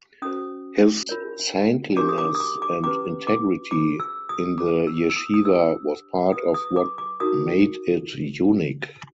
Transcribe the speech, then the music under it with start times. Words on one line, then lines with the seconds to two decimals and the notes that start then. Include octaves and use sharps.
His saintliness and integrity in the yeshiva was part of what made it unique.
0.22 C#4 F#4 A4 C5 D#6
1.09 F4 A#4 C#5
1.96 D4 G4 A#4 C#5 D6
2.09 D#6
2.18 D6
2.35 D#6
2.40 D6
2.62 D6
2.84 C#4 E4 G4 B4 D6
3.27 D6
3.71 F4 G#4 C5 D6
4.00 E6
4.29 D#6
4.58 F4 A4 C5 D6
4.87 E6
5.10 E6
5.16 D#6
5.34 D#6
5.45 D4 G4 C5 E6
6.32 F4 G#4 B4 D#6
6.54 D#6
6.76 D6
6.98 D6
7.20 D#4 F#4 A#4 C#5 D#6